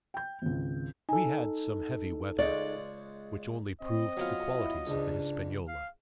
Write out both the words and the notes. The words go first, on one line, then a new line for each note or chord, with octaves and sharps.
We had some heavy weather, which only proved the qualities of the HISPANIOLA.
G5 G6
G#1 C#2
D#4 A4 G#5
C#2 G#3 C#5 D5
C4 D#5
F#3 B3 F4
E4
C#2 G#2 D4
F5